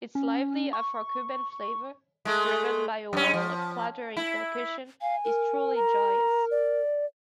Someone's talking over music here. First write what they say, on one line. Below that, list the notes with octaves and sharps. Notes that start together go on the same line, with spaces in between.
Its lively Afro-Cuban flavor, driven by a wall of clattering percussion, is truly joyous.
C#4
C#6
G#3 A3
F#2 C#4
F3
E4
F5 G#5
A#4
A#5
D5